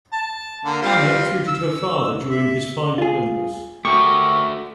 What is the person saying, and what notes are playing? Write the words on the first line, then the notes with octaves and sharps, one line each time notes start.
Anna treated her father during his final illness.
A5
D3 A#3
G3 C4 F4
E6
E5
F4 G#4
A3 F#4 G4 A#4 E5 C#6